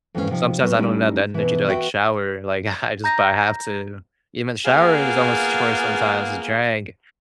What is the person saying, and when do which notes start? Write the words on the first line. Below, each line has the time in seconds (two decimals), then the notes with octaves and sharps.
sometimes I don't have the energy to like shower, like, I jus but I have to. Even showering is almost a chore, sometimes a drag.
0.15 F2 G#2 E3 F#3 C#4 F5
0.31 C3 F3 D#4
0.60 F#3 B3 F#4
0.78 G3 A3 C#4 D#4 E4 D5
1.34 B2 E3
1.67 F#4 B4 E5 F5 G5
3.04 A#5 G6 A#6
4.65 A#3 B3 F4 G#4